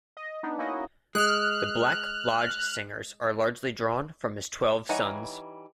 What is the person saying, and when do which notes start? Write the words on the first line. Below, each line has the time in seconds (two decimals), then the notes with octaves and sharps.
The Black Lodge Singers are largely drawn from his twelve sons.
0.17 D#5
0.43 B3 D4 D#4
0.58 A#3 C#4 D#4 E4 F#4 D#5
1.15 G#3 F6 F#6
4.89 E3 G3 D#4 C#5 F#5